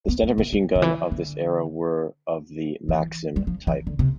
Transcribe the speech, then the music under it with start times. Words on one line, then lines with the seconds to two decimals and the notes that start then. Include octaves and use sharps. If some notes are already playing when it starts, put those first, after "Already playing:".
The standard machine guns of this era were of the Maxim type.
0.08 B3
0.23 A3
0.38 B3
0.53 G3
0.76 D3
0.82 E3
1.12 D3
2.89 E3
3.36 G3
3.47 F3
3.67 E3
3.87 D3
3.99 C3